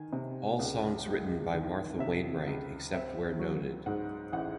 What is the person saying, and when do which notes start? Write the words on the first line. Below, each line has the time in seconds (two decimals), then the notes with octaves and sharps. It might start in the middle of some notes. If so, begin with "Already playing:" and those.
All songs written by Martha Wainwright except where noted.
Already playing: D#3 G#5
0.13 C3
0.59 C#2
1.06 G#3
1.53 D#3
1.99 C3 E5
2.47 C#2
2.94 C4 E5
3.39 F#3
3.86 G#2 F#5
4.32 A1 F#5